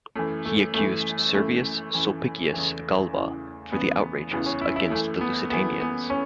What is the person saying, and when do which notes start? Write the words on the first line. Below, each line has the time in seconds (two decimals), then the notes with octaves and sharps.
He accused Servius Sulpicius Galba for the outrages against the Lusitanians.
0.15 F#2 E3 A3
0.45 A3
0.74 F#2 E3 A3
1.34 F#2 E3 A3
1.93 F#2 E3
2.54 E2 C#3 E3
3.13 E2 C#3 E3
3.72 E2 C#3 E3 B3
4.31 E2 C#3 E3 B3
4.46 C#4
4.61 E4
4.76 E4
4.91 F#2 E3 A3
5.21 B3
5.50 F#2 E3 B3
5.81 B3
6.10 C#4